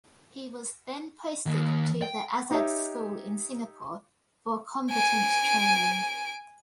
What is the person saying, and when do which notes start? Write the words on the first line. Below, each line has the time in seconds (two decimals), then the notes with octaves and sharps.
He was then posted to the Azad School in Singapore for Combatant Training.
1.46 D#2
2.02 G5
2.51 D#4 G4 C#5 D#5 E5
4.90 G#5 D7